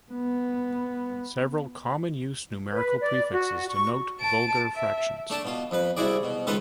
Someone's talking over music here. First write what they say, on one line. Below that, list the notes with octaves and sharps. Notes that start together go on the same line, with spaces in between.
Several common-use numerical prefixes denote vulgar fractions.
B3
B4
D5
F#4
C#6
A5 D7
E5
A3 D4 A5
B2 F4
F2 B4
C2 E4 F#4 G#4 D5
B2
C#2 D#3 F4 A4 B4 D#6